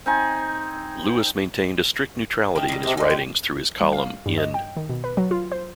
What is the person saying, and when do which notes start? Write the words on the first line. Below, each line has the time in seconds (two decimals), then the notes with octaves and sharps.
Lewis maintained a strict neutrality in his writings through his column ' in '.
0.06 C4 D#4 G#5
2.55 D#3 A3 G5
2.68 D#3 G3
2.83 C3 G#3 A4
2.97 G#3 D#4 D5
3.10 G4
3.80 G3
3.92 F5
4.26 G2
4.38 D#5
4.54 G5
4.77 D#3
4.90 B2
5.04 B4
5.17 F#3
5.31 F4
5.52 C5